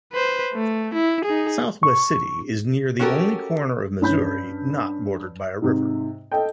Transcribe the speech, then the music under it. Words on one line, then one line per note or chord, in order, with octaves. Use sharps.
Southwest City is near the only corner of Missouri not bordered by a river.
B4 C5
A3
E4
D#4 G#4
C#6
C#4 F#4 G4 A4 A#4
G2 C#4 B5 G6
G#2 C3
A4 D#5 G5